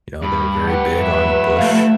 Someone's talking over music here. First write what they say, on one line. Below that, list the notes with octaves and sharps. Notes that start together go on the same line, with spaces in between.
you know, they were very big on Bush.
G2 B5
F3 G4 B4 F#5
G2 E5
A3 E5 F5